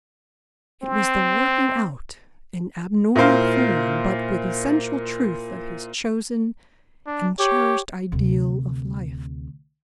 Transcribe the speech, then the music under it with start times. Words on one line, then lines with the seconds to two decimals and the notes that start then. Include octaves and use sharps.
It was the working out, in abnormal form, but with essential truth, of his chosen and cherished ideal of life.
0.83 C4
3.16 A#2 E4 A#4 C5 F5
7.07 D4
7.39 G4 C#5
8.12 D2 C3